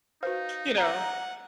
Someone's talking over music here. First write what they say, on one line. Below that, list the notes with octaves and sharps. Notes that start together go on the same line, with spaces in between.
you know?
D#4 F#4 B4 C5 F5
F#5 A#5